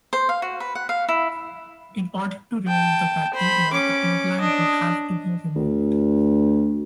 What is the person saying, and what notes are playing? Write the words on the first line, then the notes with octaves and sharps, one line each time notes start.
In order to remove the bacteria, the implant would have to be removed.
C5
F5
F#4
B4
F#5
F5
E4
G5 A5
C5 B5
C#4 D6
D4 D#5
D2